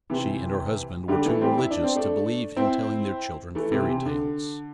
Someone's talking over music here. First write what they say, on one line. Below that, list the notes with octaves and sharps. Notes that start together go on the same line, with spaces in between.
She and her husband were too religious to believe in telling their children fairy tales.
C3 E3
D3 G3
E3 A3
G3 C4
E4
D4
C4
A3 D4
C4 E4
E3 A3
C3 E3
C3
D3